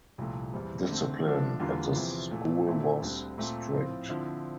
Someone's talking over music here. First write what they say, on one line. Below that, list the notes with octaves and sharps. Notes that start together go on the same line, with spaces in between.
Discipline at the school was strict.
C2 A#2 F3 A3
E2 C3 G3 C4
D3 A3 C4
D3 F3 A3 D4
E2 D3 G3 A#3 F4
E2 C3 F3 C4 E4
A#2 A3 E4
A#2 A3 C4 E4
D2 D3 G3 C4
A#2 A3 C4 F4
A2 F3 C4 F4
D3 F3 C4 E4